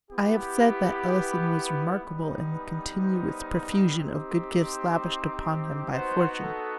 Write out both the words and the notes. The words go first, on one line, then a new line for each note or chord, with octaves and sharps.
I have said that Ellison was remarkable in the continuous profusion of good gifts lavished upon him by Fortune.
B3 E4 G4
B4
G3 B3 D#4
B4
C5
C4 D#4 G4
C5
B3 D#4 F#4 C5
A4